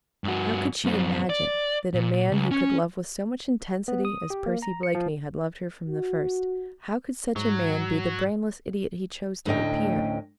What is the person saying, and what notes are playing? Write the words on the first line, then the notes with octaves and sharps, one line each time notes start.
How could she imagine that a man who could love with so much intensity as Percy Blakeney had loved her from the first--how could such a man be the brainless idiot he chose to appear?
G2 F#4
F#2 C4
D5
A#2
C#2
C#4
B3
D#6
G4
A#3
A#5
C#7
F3
F#4
G#2 F#3
D2 A2 C#4 D#5 G5